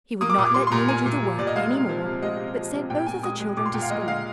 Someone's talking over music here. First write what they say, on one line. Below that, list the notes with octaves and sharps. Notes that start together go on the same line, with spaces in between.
He would not let Nina do the work any more, but sent both of the children to school.
A#3 D#6
D6
A#2 D#6
D6
G3 C6
C6
A#2 A#5
A#3 G#5
A#2
G3
A#2 D5
D#5
G#3 F5
C3
F3
C3
G#3 D#5
C3
F3
C3
A#2 G5
A#2 G#5
G#3 D#6
G#3
A#2 D6
C6
A#2 G5
F5
G#3 D#5
G#3 F5